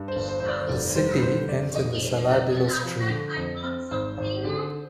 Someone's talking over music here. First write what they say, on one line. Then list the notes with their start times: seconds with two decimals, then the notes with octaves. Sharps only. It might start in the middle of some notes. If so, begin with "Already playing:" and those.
The city ends in the Saladillo Stream.
Already playing: G2
0.08 C5
0.16 G1
0.28 C5
0.40 G1 C5
0.48 D5
0.60 C5
0.69 F1 D5
0.95 G3 C5
1.18 B4
1.22 D3 C5
1.49 F2 D5
1.75 F1 D#5
2.03 G3
2.24 D#5
2.29 F2 D5
2.56 C4
2.83 F3
3.10 D3
3.36 F2
3.64 C4
3.91 G#1 C5
4.18 G#1
4.44 D3